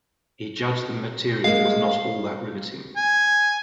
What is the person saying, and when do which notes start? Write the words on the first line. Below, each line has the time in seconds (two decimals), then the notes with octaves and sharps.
He judged the material was "not all that riveting".
1.44 G#3 A#3 F5
2.97 G#5